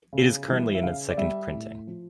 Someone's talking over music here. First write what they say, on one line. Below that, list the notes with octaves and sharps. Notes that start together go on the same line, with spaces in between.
It is currently in its second printing.
C#3
E3 G3
E5
C#3 F5
D5
G3 E5
A2
F3